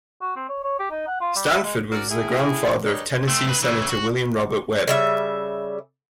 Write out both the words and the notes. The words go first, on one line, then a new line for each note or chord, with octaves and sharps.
Stanford was the grandfather of Tennessee Senator William Robert Webb.
F#4
C4
C#5
C#5
G4
D#4
F#5
F4
G3
E5
G#3
C#4 F#4 A#4 D5
A2 E4 G#4
G2 D#3 D4 D#4 G#4 C#5
A3 C4
G2 B4
C#3 E3
F#4
C#3 G3 E5